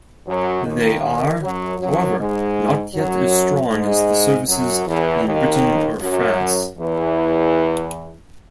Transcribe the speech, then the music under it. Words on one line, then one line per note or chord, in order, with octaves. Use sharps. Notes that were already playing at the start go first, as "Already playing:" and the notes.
They are, however, not yet as strong as the services in Britain or France.
F#2 F#3
D#2 D#3
F#2 F#3
F#2 F#3
G#2 G#3
F#2 F#3
G#2 G#3
F#2 F#3
E2 E3
D#2 D#3
F#2 F#3
E2 E3